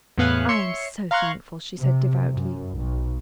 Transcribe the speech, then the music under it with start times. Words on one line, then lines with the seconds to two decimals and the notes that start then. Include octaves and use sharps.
"I am so thankful," she said devoutly.
0.18 E2 A2 B3 F5 G#5 F#6
0.49 C#5 E5 C6 C#7
1.11 F5 A#5 C6 C#6 F#6 G#6
1.78 C3
2.31 F#2
2.77 B1